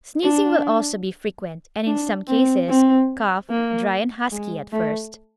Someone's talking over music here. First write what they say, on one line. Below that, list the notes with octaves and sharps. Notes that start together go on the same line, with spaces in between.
Sneezing will also be frequent, and in some cases cough, dry and husky at first.
D4
D4
C4
C4
A#3
G#3
A3